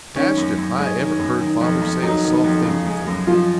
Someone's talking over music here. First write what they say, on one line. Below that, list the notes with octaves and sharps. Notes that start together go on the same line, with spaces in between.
Dashed if I ever heard father say a soft thing before.
D#3 C#4
F#2
F#2
G#3
D#3
F#2
D#3
F2
F2
F#3 D#4
D#3
F2
C#3
G#3
F#2
F3 F4